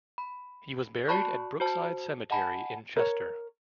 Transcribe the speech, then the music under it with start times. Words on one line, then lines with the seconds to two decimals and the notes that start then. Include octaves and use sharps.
He was buried at Brookside Cemetery in Chester.
0.18 B5
1.07 F#4 D5 A5 B5 C#6 F#6
1.60 F#4 C5 A5
2.30 D#5 F#5 G#5 A5 B5
2.96 A#4 C#5